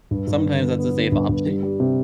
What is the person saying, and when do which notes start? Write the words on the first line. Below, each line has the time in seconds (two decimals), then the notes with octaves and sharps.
sometimes that's a safe option.
0.11 G2
0.27 G2
0.45 D3
0.62 B3
0.79 B3
0.95 D3
1.12 G2
1.29 G2
1.46 G3
1.63 G3
1.80 C3